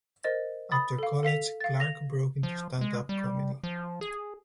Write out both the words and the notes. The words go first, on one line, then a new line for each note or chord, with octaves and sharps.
After college, Clark broke into stand-up comedy.
A#4 C5 D#5 A6
B5 D#6 A6
A4 F5
A4 F5 B6 F7
F5 A6
A#6 F7
F3
G#3
G3
F3
G#4